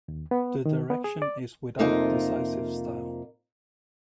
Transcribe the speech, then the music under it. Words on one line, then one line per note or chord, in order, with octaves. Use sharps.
The direction is without decisive style.
D#2
B3
D#3
B3
G#4
D5
F2 C3 A#3 D#4 F4 A#4